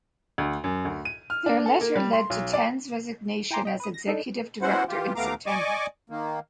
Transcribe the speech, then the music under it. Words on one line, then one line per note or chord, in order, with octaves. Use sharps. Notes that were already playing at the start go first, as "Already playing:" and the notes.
Their letter led to Tan's resignation as executive director in September.
D2
F#2
D2
D#7
F6
D4
A4
A#3
G3
C6
B1
D5
E4 G5 G#5 A#5 C6 D6
D#5 G5
B4 D#6
A#6
D4 D#4 A4
B3 C#4 E4 F#4 C5 F#5
E3 F4 G4
D#2 A3 B3 F5 A#5 D6
D5 D#5 G#5 C#6 D6
D#3 A#3